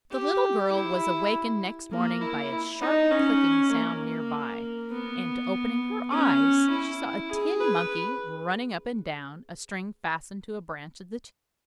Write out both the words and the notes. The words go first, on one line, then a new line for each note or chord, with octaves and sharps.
The little girl was awakened next morning by a sharp clicking sound near by, and opening her eyes she saw a tin monkey running up and down a string fastened to a branch of the tree.
G4
E4
A#3
E4
D#4
C#4
A#3
B3
C#4
E4
G#4
B4